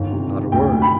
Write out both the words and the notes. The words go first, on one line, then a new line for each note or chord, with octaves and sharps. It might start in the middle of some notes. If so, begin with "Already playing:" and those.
"Not a word."
Already playing: G1 D#3
C3
D#3
D2 G5
D2
B5